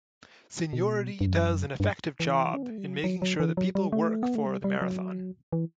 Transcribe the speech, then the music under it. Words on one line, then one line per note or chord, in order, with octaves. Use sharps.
Seniority does an effective job in making sure that people work for the "marathon".
B2
G2
F#2
G2
E3
C#4
B3
A3
G3
F#3
F#3
F#3
E3
F#3
G3
A3
B3
A3
G3
G3
F#3
E3